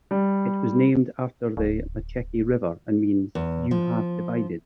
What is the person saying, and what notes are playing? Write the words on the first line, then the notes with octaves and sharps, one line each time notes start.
It was named after the Macheke River and means "you have divided".
G3
D1
E2
F3